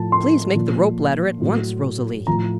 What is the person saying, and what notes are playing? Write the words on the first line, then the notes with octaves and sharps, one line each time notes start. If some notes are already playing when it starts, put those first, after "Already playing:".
"Please make the rope ladder at once, Rosalie!"
Already playing: A2 F3 A5
C6
A#2 F3
A2 F#3
A2 F3 A#5